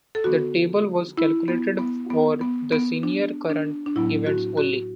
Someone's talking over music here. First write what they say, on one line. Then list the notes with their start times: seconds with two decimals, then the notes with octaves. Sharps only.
This table was calculated for the senior current events only.
0.15 A4
0.24 D3 B3 F#4
1.17 E4
1.48 B3
1.79 B3
2.10 B3
2.41 B3
2.72 B3
3.03 D4
3.50 D4
3.86 D4
3.96 A2 F#3 B3 E4
4.26 F#4
4.57 F#4